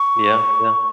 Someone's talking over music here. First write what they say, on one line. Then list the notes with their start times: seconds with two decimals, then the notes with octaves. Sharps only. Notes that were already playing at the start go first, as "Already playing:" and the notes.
Yeah, yeah.
Already playing: C#6